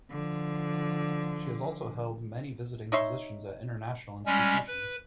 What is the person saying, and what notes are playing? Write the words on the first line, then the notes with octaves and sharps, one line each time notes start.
She has also held many visiting positions at international institutions.
D3 F3
D#4 C#5 E5 C6
G3 G#3 C#4
B4